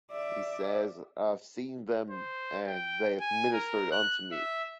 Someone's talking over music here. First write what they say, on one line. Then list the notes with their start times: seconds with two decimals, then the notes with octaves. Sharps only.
He says I have seen them, and they have ministered unto me.
0.11 D5 E5
2.11 C5
2.67 G5
3.20 G#5
3.53 A#4
3.92 F#6
4.32 E5